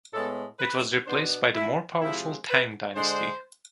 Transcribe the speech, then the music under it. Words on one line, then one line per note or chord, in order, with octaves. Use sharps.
It was replaced by the more powerful Tang dynasty.
A2 G#3 B3 A4
B4
B2 B3 D4 C5
E4
C3 F3 G#3 E4
B4
D3 G#3 D4 C5